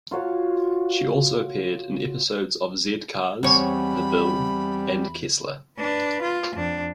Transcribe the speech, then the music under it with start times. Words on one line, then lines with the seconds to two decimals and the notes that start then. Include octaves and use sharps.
She also appeared in episodes of "Z-Cars", "The Bill" and "Kessler".
0.11 F4 F#4 C#5
3.43 E2 G3 C4 C#5 F#5 G#5 B5
5.78 D4 B4
6.22 F4
6.56 F2 D4